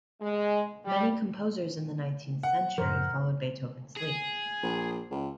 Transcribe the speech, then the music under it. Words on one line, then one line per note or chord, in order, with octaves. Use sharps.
Many composers in the nineteenth century followed Beethoven's lead.
G#3
G3
F#5
F#2 A2 F3 A#4 C5
G#4
A#1
C#2